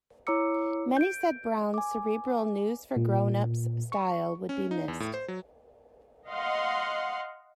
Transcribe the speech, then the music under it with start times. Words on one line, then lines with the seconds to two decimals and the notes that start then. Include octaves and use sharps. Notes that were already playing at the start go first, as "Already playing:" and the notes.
Many said Brown's cerebral "news for grown-ups" style would be missed.
0.27 E4 C#5 A#5 D6 E6 C#7
0.97 G6 D7
1.74 G#5 D6
2.96 A#2
3.92 C#6
4.49 C#4
4.71 D#4
4.88 E2
5.00 A2
5.14 C5
5.28 F#3
6.28 D#5 F5 F#5 C6